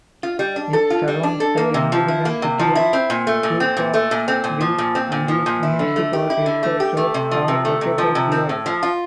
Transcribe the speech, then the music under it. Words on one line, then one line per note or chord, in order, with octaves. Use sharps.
It surrounds the independent city of Daugavpils and its municipal headquarters are located there.
F4
G3
D4
A4
F4
G3
D4
A4
A#3
C3
F3
E4
A#3
C3
F3
E4
C4
A#2
A3
A#2
C4
A#2
A3
A#2
C4
A#2
F3
A#2
C4
A#2
F3
A#2
E4
D3
A3
G4
E4
D3
A3
G4
A3
C3
F3
C3
A3
C3
F3
C3
C4
A2
F3
F4